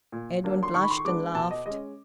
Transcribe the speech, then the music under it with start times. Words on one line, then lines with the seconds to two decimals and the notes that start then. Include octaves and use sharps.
Edwin blushed and laughed.
0.12 A#2
0.44 F#3 A#3 D4
0.63 C6
0.74 D#3 C#6
0.82 B5
0.90 C6
0.97 C#6
1.05 G#3 B3 D4 D6
1.35 B2 A5
1.51 D#5
1.66 G#3 C#4 D#5